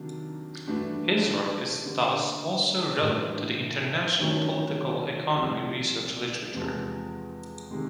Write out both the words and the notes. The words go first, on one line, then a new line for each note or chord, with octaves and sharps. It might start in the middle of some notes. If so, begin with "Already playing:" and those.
His work is thus also relevant to the international political economy research literature.
Already playing: C3 D#3 F#3 A#3 D4
G2 E3 A3 D4 F#4
D3 G3 A#3
A2 E3 G3 A#3 D4
G2 D#3 F#3 A3 C#4
C2 C3 F3
E2 C3 F3 G#3
C3 D#3 G#3